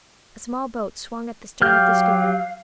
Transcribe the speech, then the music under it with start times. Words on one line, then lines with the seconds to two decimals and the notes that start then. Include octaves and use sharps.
A small boat swung at the stern of the schooner.
1.62 F#3 G4 F5 F6 G6